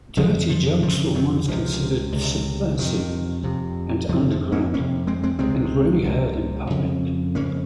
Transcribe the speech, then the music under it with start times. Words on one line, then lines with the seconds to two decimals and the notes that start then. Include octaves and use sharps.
Dirty jokes were once considered subversive and underground, and rarely heard in public.
0.17 F2 C#3 F3 G#3
0.49 F3
0.82 F2 C#3 F3
1.15 D#3 F#3
1.48 C#2 C3 F3
2.12 C#2 C3
2.78 F2 C3 D#3
3.43 F2 C3
4.09 F2 F3
4.13 C3
4.30 F3
4.52 A#3 C#4
4.74 F2 A#3 C#4
4.79 C3
5.07 G#3 C4
5.23 G#3 C4
5.39 C#2 C3 G#3 C4
6.05 C#2 C3
6.70 F2 C#3
7.35 F2 C#3 A#3 C#4